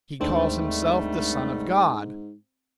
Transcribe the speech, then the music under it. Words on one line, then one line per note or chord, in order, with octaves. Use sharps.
He calls himself the son of God.
D#2 G#2 D#3 G3 A3 C4 D4 A4